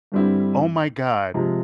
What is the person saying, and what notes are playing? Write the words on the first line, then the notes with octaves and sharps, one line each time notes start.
Oh my god.
G2 D3 G3 C4 E4
C3 F3 G#3